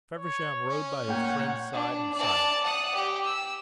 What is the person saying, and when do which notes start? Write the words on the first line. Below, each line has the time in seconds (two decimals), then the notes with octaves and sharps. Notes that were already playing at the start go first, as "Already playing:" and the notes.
Feversham rode by his friend's side in silence.
0.17 C#5
0.70 C#4
1.08 A#2 C#5 F#5 G5 G6
1.72 D4
2.14 D5 A5
2.63 F#5 D#6
2.95 G4
3.24 E6